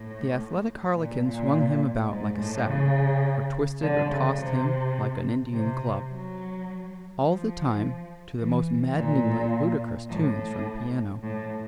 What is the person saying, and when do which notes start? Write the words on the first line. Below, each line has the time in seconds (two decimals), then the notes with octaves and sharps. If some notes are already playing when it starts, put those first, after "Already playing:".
The athletic harlequin swung him about like a sack or twisted or tossed him like an Indian club; all the time to the most maddeningly ludicrous tunes from the piano.
Already playing: A2
0.96 A#2
1.24 A#2
2.10 G#2
2.38 A2
2.67 C#3
3.81 D3
4.10 C#3
4.39 C3
5.53 C3
6.10 F#3
7.24 F3
8.38 E3
8.95 A#2
10.09 A2
11.23 A2